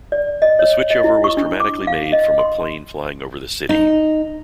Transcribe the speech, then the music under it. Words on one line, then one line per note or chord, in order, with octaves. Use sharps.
The switchover was dramatically made from a plane flying over the city.
D5
D#5
C#5
D#5
E4
C#6
D4
D6
F5
D#5
C6
D#4